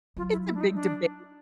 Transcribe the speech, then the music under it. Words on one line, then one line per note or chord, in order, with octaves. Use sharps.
It's a big debate.
F#3 F4
E4
E4
D4
D#4
D4